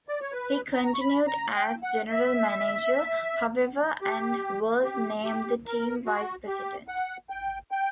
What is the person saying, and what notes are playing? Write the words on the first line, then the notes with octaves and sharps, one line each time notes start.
He continued as general manager, however, and was named the team vice president.
D5
C#5
B4
A#5
C#6
B5
A#5
G5
F#5
E5
G4
G4
G4
A#4
F#4
G4
F#5
G5
G5